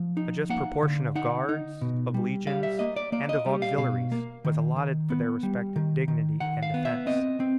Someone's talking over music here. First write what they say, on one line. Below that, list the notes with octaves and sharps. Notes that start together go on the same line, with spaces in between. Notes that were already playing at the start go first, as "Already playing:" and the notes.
A just proportion of guards, of legions, and of auxiliaries, was allotted for their respective dignity and defence.
Already playing: F3
D#4
A#3 F#5
D3
D#4 F#5
D#4
B2
G3
G3 F5
E5
A#3 D#5
D5
A#3 D5
D#5
G3
F5
B2 F5
A#3
D#3
D#3
B3
G3
D#3
D#3
D#3 F#5
F5
B3
E5
C4 D#5
C4